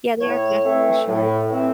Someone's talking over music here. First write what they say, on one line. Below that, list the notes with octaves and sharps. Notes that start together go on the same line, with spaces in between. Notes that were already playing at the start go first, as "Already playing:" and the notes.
Yeah, they are classic for sure.
A2 C#5
E3 A3 C4
A2
E3 A3 C4